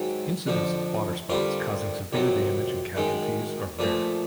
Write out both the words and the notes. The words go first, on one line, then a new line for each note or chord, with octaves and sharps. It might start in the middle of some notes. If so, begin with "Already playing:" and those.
Incidents of waterspouts causing severe damage and casualties are rare.
Already playing: G#2 D#3 F#3
F2 D3 F3
D3 G3 C4 F4 A#4
F2 C3 D#3 F#3
F#2 D#3 G#3
A#2 F3 A3